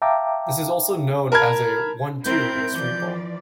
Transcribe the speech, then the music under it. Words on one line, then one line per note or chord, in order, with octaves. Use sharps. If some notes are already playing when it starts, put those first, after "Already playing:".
This is also known as a "One-Two" in street ball.
E5 F5 G5 A5 A#5 D6
A#4 A5 B5 F6 G#6
C4 E4 A#4 G6
E3 F3 D5